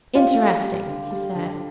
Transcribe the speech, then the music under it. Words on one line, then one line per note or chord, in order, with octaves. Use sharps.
"Interesting," he said.
F4 G4
G4
G3
D3
G3
D3